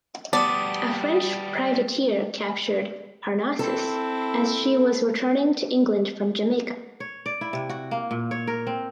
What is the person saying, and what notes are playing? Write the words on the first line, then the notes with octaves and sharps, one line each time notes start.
A French privateer captured "Parnassus" as she was returning to England from Jamaica.
G3 B3 F#4 D5 A5 D#6
C4 E4 A4
C#5
D5
E4
C3
F#4
A#3
A#2
C#5
A#4
C4